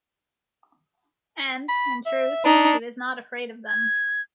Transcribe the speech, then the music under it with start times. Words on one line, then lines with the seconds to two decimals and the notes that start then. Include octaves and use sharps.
And, in truth, she was not afraid of them.
1.69 B5
2.06 E5
2.45 D4 D#4
3.68 G#6